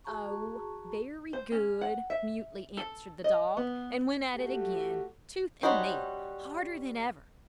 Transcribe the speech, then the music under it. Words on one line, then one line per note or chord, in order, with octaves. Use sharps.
"Oh! very good," mutely answered the dog, and went at it again, tooth and nail, harder than ever.
F#4 G#4 A5 A#5 C#6
C5
C#4
F#5
E5
A4
D#5
B3
A3 F#4 G4
G3 C#4 D#4 F#4 C5